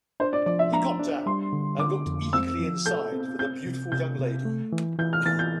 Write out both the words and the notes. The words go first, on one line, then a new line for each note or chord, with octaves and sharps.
He got down, and looked eagerly inside for the beautiful young lady.
D4 C5
D5
F3 D5
E5
D4 A#5
D4
G3 C6
D3
D3 D6
F2
C4 E6
F3
A4 G6
C4
C4 G6
C3
C3 G6
C3
A3
E3
E3 G6
F6
E3 A6
G6